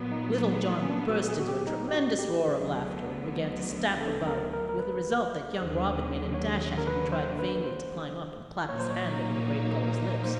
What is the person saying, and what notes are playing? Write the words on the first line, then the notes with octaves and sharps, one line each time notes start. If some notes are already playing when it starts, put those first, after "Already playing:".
Little John burst into a tremendous roar of laughter, and began to stamp about, with the result that young Robin made a dash at him and tried vainly to climb up and clap his hand over the great fellow's lips.
Already playing: A#2 F#3 B3
D#4
C#4
D4
F#4
G#4
F#4
G4
D#4
G4
F#4
G4
D2 D3 F#3 B3 G#4
A4
A#4
A#4
A#4
B4
D#2 D3 F#3 C5
C#5
A#4
B4
C5
B4
B4
C5
A#2 F#3 A#3 D#4 C#5
C5
C#5
C5